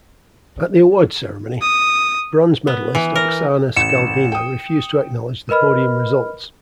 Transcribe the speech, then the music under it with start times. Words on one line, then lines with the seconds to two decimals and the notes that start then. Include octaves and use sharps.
At the awards ceremony, bronze medalist Oksana Skaldina refused to acknowledge the podium results.
1.61 D#6
2.67 B3
2.95 E3
3.16 A#4
3.76 A1 C#7 E7
4.32 G5 D#6
5.49 A#4 B4 D#5 B5 F6